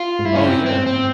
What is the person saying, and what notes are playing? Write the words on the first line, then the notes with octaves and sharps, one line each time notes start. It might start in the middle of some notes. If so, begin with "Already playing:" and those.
Oh, yeah.
Already playing: F4
G#2
G2 E4
C#4
F#2 C4
G2
C4
G#2
C4